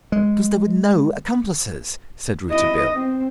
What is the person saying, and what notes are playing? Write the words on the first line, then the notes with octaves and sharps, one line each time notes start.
"Because there were no accomplices!" said Rouletabille.
G#3
E4 D#5
C4